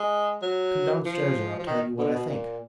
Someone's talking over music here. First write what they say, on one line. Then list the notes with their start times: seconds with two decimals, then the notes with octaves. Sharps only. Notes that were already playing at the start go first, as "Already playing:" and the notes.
"Come down-stairs, and I'll tell you what I think."
Already playing: G#3
0.42 F#3
1.06 F3
1.59 F3
1.67 D#3
1.98 D3
2.14 B2
2.29 A#2